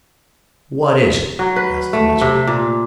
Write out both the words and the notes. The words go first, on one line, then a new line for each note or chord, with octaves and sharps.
"What is it?" asked the Lizard.
F#3
B4
A3
C3
A#2